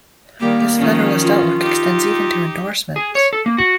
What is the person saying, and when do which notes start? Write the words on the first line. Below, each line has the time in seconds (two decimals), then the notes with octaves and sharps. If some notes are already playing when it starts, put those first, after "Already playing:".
This federalist outlook extends even to endorsements.
0.40 D#3 G3 A#3 G4
0.77 D#3 F3 C#4
1.23 F4
1.62 D#4 G4
2.96 G#4
3.15 C#5
3.33 A4
3.46 A#3
3.58 F#4